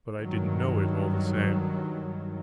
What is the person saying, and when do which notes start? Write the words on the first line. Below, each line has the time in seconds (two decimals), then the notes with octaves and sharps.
But I didn't know it, all the same.
0.19 G2 D#3 F#3